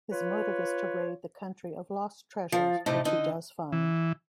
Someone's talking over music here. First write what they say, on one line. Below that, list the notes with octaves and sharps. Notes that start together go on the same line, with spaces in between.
His motive is to raid the country of lost treasures, which he does find.
F4 B4 C#5
F3
A2 C3 A3 D#4
D3 D#4
E3